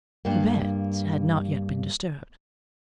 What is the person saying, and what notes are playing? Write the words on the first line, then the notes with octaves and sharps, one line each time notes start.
The bed had not yet been disturbed.
G2 A#3